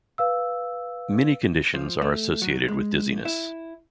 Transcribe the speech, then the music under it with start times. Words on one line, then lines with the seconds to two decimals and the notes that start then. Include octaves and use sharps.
Many conditions are associated with dizziness.
0.18 B4 F5 E6
1.74 F3
2.02 A3
2.42 F#3
2.68 G#3
3.25 E4